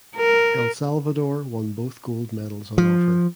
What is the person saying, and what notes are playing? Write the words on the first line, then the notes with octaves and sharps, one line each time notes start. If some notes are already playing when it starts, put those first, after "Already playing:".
El Salvador won both gold medals on offer.
A#4
F3